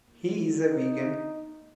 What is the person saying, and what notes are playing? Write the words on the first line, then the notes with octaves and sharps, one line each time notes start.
He is a vegan.
D#4